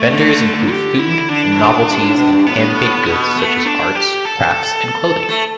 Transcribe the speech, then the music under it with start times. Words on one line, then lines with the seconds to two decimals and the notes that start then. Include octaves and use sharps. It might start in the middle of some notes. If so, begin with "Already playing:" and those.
Vendors include food, novelties, and handmade goods such as arts, crafts, and clothing.
Already playing: A3
0.10 D3
0.70 G4
0.99 E4
1.29 D3 D4
1.43 E3
1.52 A2
1.59 B2
1.88 G2
2.03 A2
2.17 B2
2.32 G2
2.47 A2 B3
2.55 G2
2.64 A2
2.97 A2
3.07 B2
3.36 A3
3.66 D4
3.95 G4
4.25 A4
5.29 A3